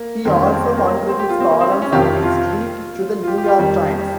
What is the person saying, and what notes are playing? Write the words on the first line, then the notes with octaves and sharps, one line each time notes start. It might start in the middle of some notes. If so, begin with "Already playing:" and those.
He also contributes columns on history to "The New York Times".
Already playing: A#3
F2 D#3 G3 C4
C#4
C4
C4
A#3
C4
A#3
A#3
C4
G4
F4
C4
A#3
C4
C#4
C#4
F2 C3 D#3 G4
G4
F4
F4
G4
G4
F4
G4
F2 D#3 G3